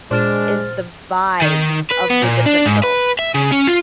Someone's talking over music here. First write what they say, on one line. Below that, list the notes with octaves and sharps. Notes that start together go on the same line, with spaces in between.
is the vibe of the different films.
A#2 G#3 D4 C5 F6 A6
D#3
B4
B3
A#2
D4
G#2
B4
E5
C#3
C#4
F4